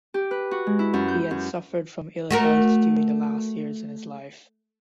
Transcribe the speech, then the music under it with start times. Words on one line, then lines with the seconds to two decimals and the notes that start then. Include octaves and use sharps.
He had suffered from ill health during the last years in his life.
0.14 G4
0.31 B4
0.51 F#4
0.67 G#3
0.79 E4
0.93 F#2
1.08 G6
1.31 F#2
2.30 A3 F#4 A#4